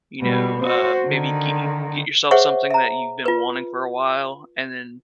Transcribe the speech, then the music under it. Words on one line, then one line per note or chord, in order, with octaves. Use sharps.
you know, uh, maybe get y get yourself something that you've been wanting for a while and then,
B2 G3
F#4 C5
D3 D#3
G#4 C5 C#5 E5 F#5 C#6
E5 A#5
F4 B4